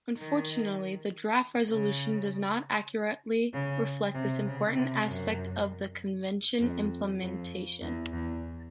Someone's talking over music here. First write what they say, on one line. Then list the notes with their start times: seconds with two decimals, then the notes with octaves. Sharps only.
Unfortunately, the draft resolution does not accurately reflect this important aspect of the Convention implementation.
0.18 D#3
1.70 C#3
3.54 C#3
4.15 C3
4.46 C#3
4.76 C3
5.07 F#2
6.60 F2
7.22 F2
7.82 E2
8.13 E2